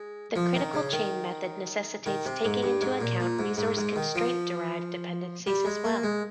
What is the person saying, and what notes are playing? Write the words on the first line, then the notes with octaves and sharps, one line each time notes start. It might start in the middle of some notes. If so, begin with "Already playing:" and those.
The critical chain method necessitates taking into account resource constraint-derived dependencies as well.
Already playing: G#3
F3
D#3
C#3
D#3
D#3
C3
G#2
G2
G#2
A#2
A#2
G#2
G#2
G#2
D#3
F3
G3
G#3
A#3
G#3